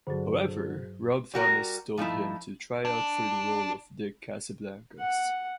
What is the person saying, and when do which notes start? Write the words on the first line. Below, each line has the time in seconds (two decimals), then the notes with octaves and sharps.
However, Rob Thomas told him to try out for the role of Dick Casablancas.
0.07 G2 D3 F#3 F#4 G#4 C5
1.34 G3 F#4 A#4
1.98 F3 A3 D#4 E4
2.85 D4
5.00 F#5